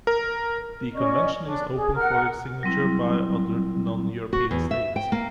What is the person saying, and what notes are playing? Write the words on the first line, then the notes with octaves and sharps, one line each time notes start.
The Convention is open for signature by other non-European states.
A#4
C#4 D5 D#5 C#6
D4
G#4
A#4 F#5 F6
F#3 G3 C4 E4
F#4
E2
E5
G5
A#3